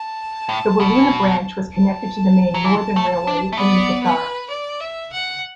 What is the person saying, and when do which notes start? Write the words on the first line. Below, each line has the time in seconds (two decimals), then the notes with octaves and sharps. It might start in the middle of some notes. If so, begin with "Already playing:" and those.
The Wiluna branch was connected to the main Northern Railway at Meekatharra.
Already playing: A5
0.49 A2
0.80 B2
1.73 A5
2.54 F#3
2.65 E3 A5
2.96 A3
3.27 D4
3.52 A3
3.57 B3 D5
4.04 B4
4.50 D5
4.80 E5
5.12 F#5